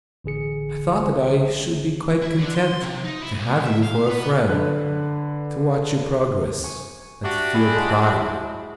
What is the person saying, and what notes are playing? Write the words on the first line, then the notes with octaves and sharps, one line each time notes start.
I thought that I should be quite content to have you for a friend, to watch your progress, and to feel pride in it.
A1 D3 G#4 C#7
E4
D3
C6
C3
D#4
E4
C2
E5
F5
B3
D3 B4 F#6
G#5 C#6
D4 F#4 G4 E5 C#6
E4 G#4 E6
G#3 A5